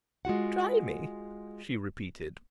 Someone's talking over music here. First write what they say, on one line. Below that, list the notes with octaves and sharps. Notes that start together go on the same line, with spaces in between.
"Try me," she repeated.
G#3 F4 F#4 F#5